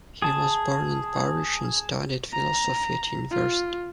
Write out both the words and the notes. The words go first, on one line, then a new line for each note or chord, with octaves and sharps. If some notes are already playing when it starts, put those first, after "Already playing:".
He was born in Paris and studied philosophy at university.
G#4 A5
A#5
F4